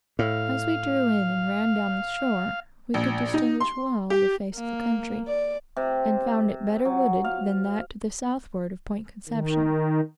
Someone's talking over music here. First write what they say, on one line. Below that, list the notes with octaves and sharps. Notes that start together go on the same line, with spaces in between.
As we drew in, and ran down the shore, we could distinguish well the face of the country, and found it better wooded than that to the southward of Point Conception.
A2 F5
A#1
D#4
C6
G4
A#3
D5
C3
F#3
F5
D#3